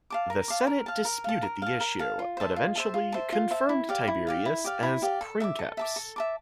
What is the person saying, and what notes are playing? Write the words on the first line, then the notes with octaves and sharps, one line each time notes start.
The Senate disputed the issue but eventually confirmed Tiberius as "princeps".
F5 A5 D6
A#4
F5 A5 D6
A#4
F5 A5
A#4
F5 A5
A#4
F5 A5
A#4
F5 A5
F4
C5 E5 A5
F4
C5 E5 A5
F4
C5 E5 A5
F4
C5 E5 A5
E4
G4 D5 F5
E4
G4 D5 F5
E4
G4 D5 F5
E4
G4 D5 F5
A4
E5 A5 D6
A4
E5 A5 D6
A4
E5 A5 D6